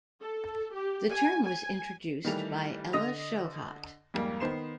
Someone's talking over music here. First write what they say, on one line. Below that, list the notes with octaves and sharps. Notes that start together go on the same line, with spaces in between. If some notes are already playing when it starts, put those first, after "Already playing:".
The term was introduced by Ella Shohat.
A4
G4
G#5
G#5
D#3 E3 G3 A3 F7
D3 D#5 D#6 A#6 F7
F2 G#2 G3 A#3
D#3 B3 C5 C7 E7